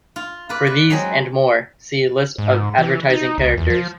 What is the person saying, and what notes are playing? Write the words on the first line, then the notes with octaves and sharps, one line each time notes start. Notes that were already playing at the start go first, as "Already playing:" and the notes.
For these and more, see List of advertising characters.
F4
F4 B4 D5
B4
F#3 G#3 C4
G#2
E3
D#4
C#2
E2
F3